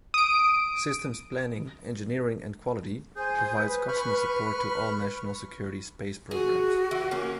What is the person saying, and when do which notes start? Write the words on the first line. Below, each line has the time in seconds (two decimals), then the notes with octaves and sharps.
Systems Planning, Engineering and Quality provides customer support to all national-security space programs.
0.14 D#6 D7
3.16 G#4 C5 G#5 G6
3.57 B4
3.88 B5 C#6 F6
6.31 F#4 G#4
6.91 E3
7.11 A#3 C#4